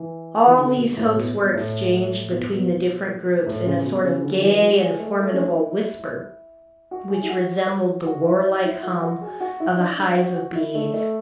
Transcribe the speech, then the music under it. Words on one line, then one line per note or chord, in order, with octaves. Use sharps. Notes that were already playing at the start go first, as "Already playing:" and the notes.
All these hopes were exchanged between the different groups in a sort of gay and formidable whisper which resembled the warlike hum of a hive of bees.
Already playing: E3
E3
D3
B2
A2
B2
B2
A2
B2
B2
B2
A2
C#3
B2
C#3
D3
F#3
E3
F#3
G#3
A3
A3
C#4
D4
E4
F#4
G#4
E4
F#4
F#4
E4
E4
F#4
F#4
G#4
F#4
E4
D4
D4
F#4
F#4
E4
A3
A3